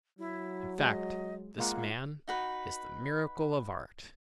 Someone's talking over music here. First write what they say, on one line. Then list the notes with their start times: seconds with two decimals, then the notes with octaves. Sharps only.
In fact, this man is the miracle of art.
0.19 F#3 E4
0.79 G#3 D#5
1.58 G#3 A#3 F4 F#5
2.28 D#4 F#4 B4